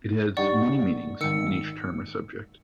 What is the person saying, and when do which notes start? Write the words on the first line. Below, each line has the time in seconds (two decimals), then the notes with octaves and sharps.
It has many meanings in each term or subject.
0.37 G2 D#4 D5 F#5 G5 C#6
1.21 G#1 D#3 E6 C#7